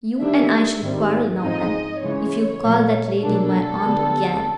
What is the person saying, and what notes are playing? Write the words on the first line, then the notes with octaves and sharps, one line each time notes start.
"You and I shall quarrel, Naumann, if you call that lady my aunt again."
D#3 G3 A#3 D4 E5
G#2 D#3 G3 C4
G#2 F3 G#3 C4 D#4 D#5
C#3 E3 G#3 C#5
A#2 F3 A3
B2 F#3 A#3 D4 A4
D3 G3 B3